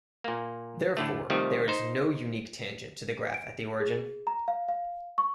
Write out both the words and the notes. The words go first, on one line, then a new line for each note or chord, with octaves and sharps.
Therefore, there is no unique tangent to the graph at the origin.
A#2 A#3
A2 D3 A3
C3 D#3 F3 G3 A3
D#4 C5
D7
G#4
A#5
F5
F5
C#6